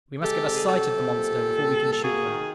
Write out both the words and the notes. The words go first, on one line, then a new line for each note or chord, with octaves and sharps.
We must get a sight at the monster before we can shoot him.
G#3 G4 A4
C3
G#4
C3 G4 A4
C3
A#2
A#2
G3
A#2
A4
A#3 F#4 G#4
D#3